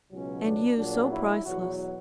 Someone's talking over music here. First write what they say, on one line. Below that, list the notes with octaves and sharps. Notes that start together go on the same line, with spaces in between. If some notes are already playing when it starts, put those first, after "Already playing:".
And you so priceless!
C#2 B2 F#3 C#4
D4
A#1 A#2 F#3 D4
E4
E2 B2 F#3 F#4